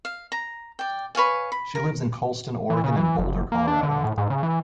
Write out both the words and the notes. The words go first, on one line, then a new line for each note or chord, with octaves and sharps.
She lives in Colestin, Oregon and Boulder, Colorado.
F5
A#5
D5 G5
B4 C#5 F5 G#5
B5
A#4
E3
C#3
E3
F#1
A#3
D4
D3
A2
G#2
C#3
E3